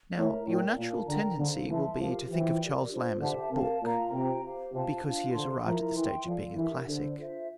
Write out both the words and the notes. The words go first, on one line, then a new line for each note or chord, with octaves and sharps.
Now, your natural tendency will be to think of Charles Lamb as a book, because he has arrived at the stage of being a classic.
A2 A#4 E5 A#5
A2 A#4 D5 G5
A#2 A#4 F5 A5
D3 A#4 D5 G5 A#5
D3 D4 A4 C5 F5
E3 A4 E5 A5 C6
F3 G4 A#4 F5
E3 F4 C5 E5 G5
G4 A#4 D5
D4 F4 A4 C5
D3 G4 C5 E5 A5
C3 A#4 F5 A5
A#2 F4 A#4 F5 A#5
C3 F4 C5 G5 A#5
G4 C5 F5
C3 F4 C5 F5 A5
D4 F4 C5 F5
D3 C5 F5 A5 C6
F3 E4 A#4 E5 A#5
E3 A#4 E5 G5 C6
F3 A4 D5 F5
E3 D4 G4 A#4 E5
D3 D4 A4 C5
F4 C5 E5